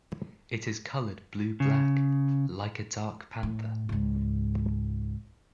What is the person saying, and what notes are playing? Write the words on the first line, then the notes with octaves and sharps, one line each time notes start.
It is colored blue-black, like a dark panther.
C#3
A2
C#2 G#2